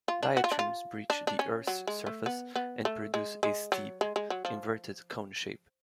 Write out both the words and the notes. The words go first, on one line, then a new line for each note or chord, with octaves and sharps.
Diatremes breach the Earth's surface and produce a steep inverted cone shape.
F4
D4
F#4
F4
D4
F4
D4
D4
C#4
F#3
G#3
A3
B3
B3
A3
G#3
G#3
F#3
G#3
G#3
F#3
F3